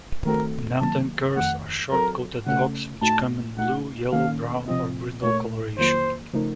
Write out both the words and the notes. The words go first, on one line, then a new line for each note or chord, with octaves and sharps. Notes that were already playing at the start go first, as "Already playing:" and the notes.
Mountain Curs are short-coated dogs which come in blue, yellow, brown, or brindle coloration.
D#3 A3 C4 F#4 A4 A#4
C3 D#3 F#3 A#3 A5
F2 D#3 A3 F#5
F#3 C4 F#4 A4 A#4
C#3 A3 C#4 A4 F#5
A2 A3 D#4 F#4 A5
A#2 A3 D#4 F#4 F#5
D#3 A#3 C#4 A4 F5
C3 F3 C4 F4 D#5
A#2 A3 D#4 A#4 C#5
F2 D#3 F#3 A#3 F4 C5
C#3 F3 A3 D#4 A#4